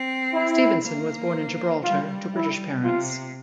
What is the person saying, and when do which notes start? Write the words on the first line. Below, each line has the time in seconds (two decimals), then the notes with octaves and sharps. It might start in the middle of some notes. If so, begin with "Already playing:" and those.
Stevenson was born in Gibraltar to British parents.
Already playing: C4
0.33 E4
0.83 A#3
1.83 G3 F4
2.34 E4
2.84 C3 F4